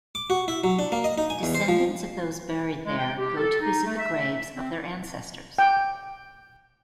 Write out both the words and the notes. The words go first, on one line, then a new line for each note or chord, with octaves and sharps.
Descendants of those buried there go to visit the graves of their ancestors.
D6
F#4
E4
F#3
D4
A#3
D#5
D#4
G#5
E2
C5
F3
G#3
G5
G4
A4
D#4
A3
E5
E5
C4
G5